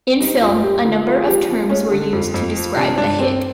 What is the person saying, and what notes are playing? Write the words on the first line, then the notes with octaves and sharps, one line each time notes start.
In film, a number of terms were used to describe a hit.
G3 D#4
F#2 F4
G3 G4
D3 F4
F3 F4
G#4
F3 G4
F3
G#3 C#4
D3
F2
F2
F3
C3 D4
G1 D4
G1 C4